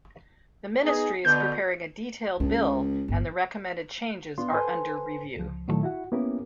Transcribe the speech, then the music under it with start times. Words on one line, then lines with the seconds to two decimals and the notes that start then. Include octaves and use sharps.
The ministry is preparing a detailed bill and the recommended changes are under review.
0.83 B3 D#4 G#4
1.25 B2 D3 G6
2.40 C#2 D4
3.08 G1
4.38 B3 D4 F4 C6
4.51 A4 B4 C5 G#5 C6
5.36 C#2 F3
5.68 A#2 D#3 F#3 A3 E4 A4
5.83 E4 F#4 F#5
6.12 A#3 B3 C#4 E4 G4 A#4